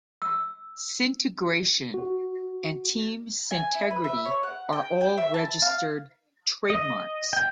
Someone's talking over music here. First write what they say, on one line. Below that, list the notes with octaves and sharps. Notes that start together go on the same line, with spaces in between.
"Syntegration" and "Team Syntegrity" are all registered trademarks.
E6
F#4
G#5
E4
B4
E5
C#5
F#5
G5
G5
E5
A5
F5
D#5
G5